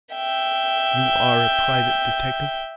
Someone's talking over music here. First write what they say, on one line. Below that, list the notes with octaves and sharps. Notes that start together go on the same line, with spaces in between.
"You are a private detective?"
E5 G5